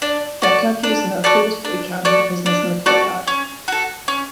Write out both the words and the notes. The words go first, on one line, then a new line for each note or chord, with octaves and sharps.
There are curfews and there are calls for recounting the prisoners in the courtyard.
D4
F#4 A4 D5
D4
F#4 A4 D5
D4
F#4 A4 D5
D4
F#4 A4 D5
C#4
F#4 A4
C#4